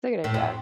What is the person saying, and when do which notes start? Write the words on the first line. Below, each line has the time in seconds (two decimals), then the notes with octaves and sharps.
a good idea.
0.24 A2
0.34 F2